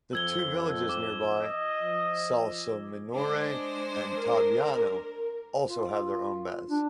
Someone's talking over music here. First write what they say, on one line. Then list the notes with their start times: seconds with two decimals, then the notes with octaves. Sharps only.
The two villages nearby, Salsominore and Tabiano, have also their own baths.
0.13 F2 E6 G#6 G7
0.89 D6
1.37 D#5
1.82 F3
3.12 G#3 D4 C5
4.14 A#4
5.68 F4
6.68 D4